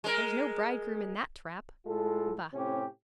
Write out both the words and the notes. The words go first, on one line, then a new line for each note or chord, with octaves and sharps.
"There's no bridegroom in that trap."
G#3 A#4
A2 G#3 F4 A4
A2 C3 C4 C#4 G4